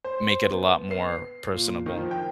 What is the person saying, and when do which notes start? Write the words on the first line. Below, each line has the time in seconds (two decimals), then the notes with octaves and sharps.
make it a lot more personable.
0.04 C5
0.44 B3
0.91 C7
1.53 A#2
1.86 D#3
1.97 F3
2.11 G5